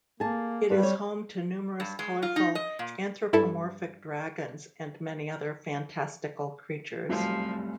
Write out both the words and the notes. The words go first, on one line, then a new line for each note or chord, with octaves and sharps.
It is home to numerous colorful, anthropomorphic dragons and many other fantastical creatures.
A#3 G#4 A5
G2 G3 B4
C#5
G2
G#3
F4
D#4
D#5
A#2
G2 E4 A4
F1 C2 F#2 F3